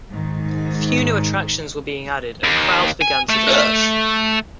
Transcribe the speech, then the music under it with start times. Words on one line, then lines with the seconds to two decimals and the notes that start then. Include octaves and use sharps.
Few new attractions were being added, and crowds began to diminish.
0.11 G#2 D#3
2.44 D#2
3.01 G#5
3.29 A3